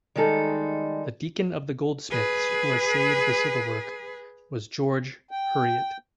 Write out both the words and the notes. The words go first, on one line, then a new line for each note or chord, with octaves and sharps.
The Deacon of the Goldsmiths who assayed the silver work was George Heriot.
D#3 G3 G#3 D#4 A4
G#4 B4
G5